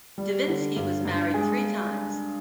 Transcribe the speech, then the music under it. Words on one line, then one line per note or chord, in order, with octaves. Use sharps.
Divinsky was married three times.
G3
D3
G2
G2
G#3